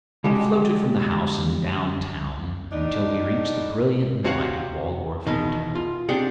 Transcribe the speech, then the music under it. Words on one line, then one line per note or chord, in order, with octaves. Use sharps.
We floated from the house and down town, until we reached the brilliantly lighted Waldorf Hotel.
D3 G3 G#3 F#4 G4 D#5
A2 D4 D#4
C3 C4 F#4 C#5 F5 F#5
E2 B2 D#3
F4
C4 D4 G4 G#4 D5 F#5